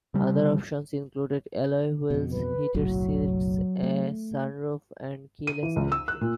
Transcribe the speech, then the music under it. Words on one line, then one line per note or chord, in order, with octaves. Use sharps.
Other options included alloy wheels, heated seats, a sunroof and keyless entry.
C#3 G3
F2 B2
B4
F#1 B1 A2 F#3
A3
D#7
E3
C#2
E6
F#6
A#2